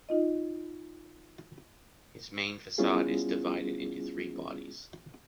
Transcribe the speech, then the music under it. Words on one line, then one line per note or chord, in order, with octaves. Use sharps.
This main façade is divided into three bodies.
D#4 F4 D#5
G3 B3 C#4 E4 F4 G#4